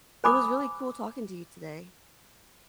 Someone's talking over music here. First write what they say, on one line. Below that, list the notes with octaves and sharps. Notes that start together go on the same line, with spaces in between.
it was really cool talking to you today,
C5 G#5 B5 D6 D#6